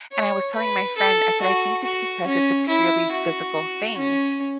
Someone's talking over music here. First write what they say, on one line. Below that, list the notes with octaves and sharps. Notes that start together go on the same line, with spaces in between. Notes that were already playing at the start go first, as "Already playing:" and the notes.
and I was telling my friend, I said, "I think it's because it's a purely physical thing,
C#5
B4
A4
F#4
F#4
C#4
E4
F#4
C#4